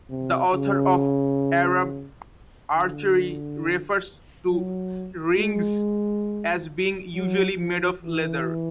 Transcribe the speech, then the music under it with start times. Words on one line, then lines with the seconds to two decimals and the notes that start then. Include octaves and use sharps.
The author of "Arab Archery" refers to rings as being usually made of leather.
0.10 C3
0.54 C#3
2.75 D3
4.51 F#3
5.38 G#3
7.15 F#3
7.59 F3
8.03 E3